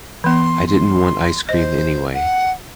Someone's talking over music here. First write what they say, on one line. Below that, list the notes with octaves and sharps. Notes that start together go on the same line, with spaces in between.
I didn't want ice cream anyway.
E3 B3 C6
C6
C5 D#5
F#5